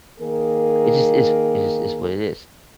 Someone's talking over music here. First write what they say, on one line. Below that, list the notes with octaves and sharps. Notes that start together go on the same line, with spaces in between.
it's just it's it just what it is.
D#3 A#3 G#4 A#4